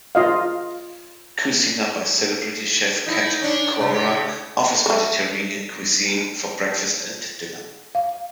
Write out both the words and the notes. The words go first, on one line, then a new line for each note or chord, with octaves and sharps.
Kouzzina by celebrity chef Cat Cora offers Mediterranean cuisine for breakfast and dinner.
F4 D#5 F5
D#4 E4
C#4 D4
C3
G4
C#3
A3 A4
F5